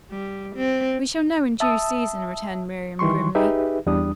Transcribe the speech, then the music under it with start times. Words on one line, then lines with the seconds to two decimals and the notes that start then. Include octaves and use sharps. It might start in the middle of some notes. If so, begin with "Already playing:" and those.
"We shall know in due season," returned Miriam grimly.
0.11 G3
0.56 C4
1.60 E5 A5 D#6 E6
2.99 D#3 E3 G3 C6 C#6
3.35 D#4 G4 G#4 B4 E5
3.86 E2 G3 D4 D#6